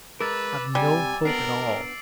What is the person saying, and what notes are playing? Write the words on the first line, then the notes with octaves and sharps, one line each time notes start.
I have no hope at all.
G#3 A#4 B4 D6 E6 A6
C3 G3 G#5
B3 D4 A#4 C7 D7 F#7